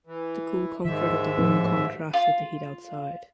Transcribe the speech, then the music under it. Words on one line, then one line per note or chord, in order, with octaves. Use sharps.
The cool comfort of the room contrasts with the heat outside.
E3
D#2 G#2 D#3 E5
A2 F3 C4
F4